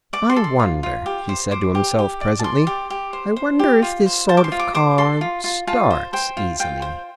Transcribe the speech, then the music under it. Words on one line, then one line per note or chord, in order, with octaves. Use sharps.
'I wonder,' he said to himself presently, 'I wonder if this sort of car STARTS easily?'
D5 D6
C6
A4
C6
F4
F4
G4
C5
C5 D6
G4
G4
D5
A5
D5 C6
G4
G4
C5
C5
G4
F4
C5
C5 A5
D6
C6
F4
D6
C5 D6
A4 C6
F4
F4
F4 A5
C5
C5 G5
F4
F4 G5
C5